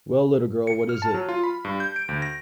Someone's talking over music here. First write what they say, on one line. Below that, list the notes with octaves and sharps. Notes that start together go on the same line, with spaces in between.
Well, little girl, what is it?
C#7
F6
A5
F#3
F4
B5
G2
G6
D7
D2
A#6